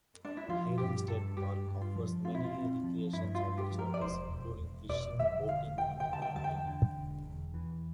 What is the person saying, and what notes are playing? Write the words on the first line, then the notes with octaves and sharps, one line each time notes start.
Hyrum State Park offers many recreation opportunities including fishing, boating, and camping.
D4
E4
F3 F4
G2 G4
G2 A4
G2 G4
G2
F4
F3
C4 F4
E4
F4
C4
F3
G2 E4
F4
G2
G4
F3
A#4
D5
E1 C5
E1
E1
E1 D5
D3 E5
E1 F5
D3 G5
G5
D3
A5
G5
E2 A5
G5
D3
E1
E2
E3